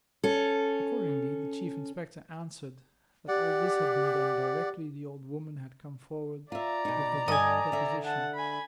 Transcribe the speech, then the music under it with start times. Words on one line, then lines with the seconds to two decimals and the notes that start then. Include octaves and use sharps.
Accordingly the Chief Inspector answered that all this had been done directly the old woman had come forward with her deposition.
0.24 C#4 A4
3.28 G4 D5 F#5
6.52 F4 D5 E5 A#5
6.85 B2 D#4
7.28 G2 D3 D#5 G#5 D#6
7.72 D3 E5
8.05 F#5 A5
8.34 G#5 B5